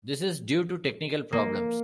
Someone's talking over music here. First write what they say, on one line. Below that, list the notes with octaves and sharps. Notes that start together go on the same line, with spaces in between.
This is due to technical problems.
A#3